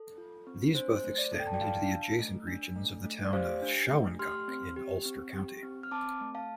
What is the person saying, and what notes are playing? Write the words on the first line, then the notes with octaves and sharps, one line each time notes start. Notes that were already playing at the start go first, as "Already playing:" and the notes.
These both extend into adjacent regions of the Town of Shawangunk in Ulster County.
Already playing: A4
F4
C4
D4 C5
C5
A3
D5
A4
G5
A5
D5 G5
F4 F5 A5
D4
A3
D4
A3
A3
D5
G4 C5 F5
D4
A3
G4 C6 F6
C4
G4
C4
G4
C4
F6
C4 A5 D6
A3
F5 A5